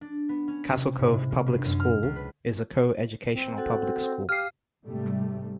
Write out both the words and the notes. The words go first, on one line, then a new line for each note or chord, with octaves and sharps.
Castle Cove Public School is a co-educational public school.
D4
B3
C#4
C3
G#2
A2
A#3
G1
F#2
F6
C#2
B4
C4
F#4 A4 F#5
G4 F5 F6 C7
G#2 C3 G3 A3